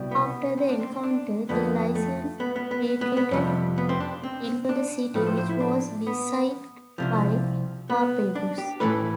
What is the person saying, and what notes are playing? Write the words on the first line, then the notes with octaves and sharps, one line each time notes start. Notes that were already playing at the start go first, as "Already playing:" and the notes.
After the encounter, the Lycians retreated into the city which was besieged by Harpagus.
Already playing: C2 B2 G3
B3
C4
D4
C4
C4
D4
F2 D3 A3 B3
A3
B3
B3
B3
B3
B3
F2 C3 G3
B3
C4
D4
C4
D4
A2 F3 A3 B4
C5
C5
E4
D4
B3
C2 C3 F3
B3
D4
G4
A2 E3 A3 B4